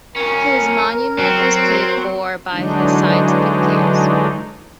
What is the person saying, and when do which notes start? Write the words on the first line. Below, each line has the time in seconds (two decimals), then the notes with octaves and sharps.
His monument was paid for by his scientific peers.
0.16 F2 C#4 A#4
1.19 F#3 C4
2.51 D3 E3 F#3 G#3 D4 D#4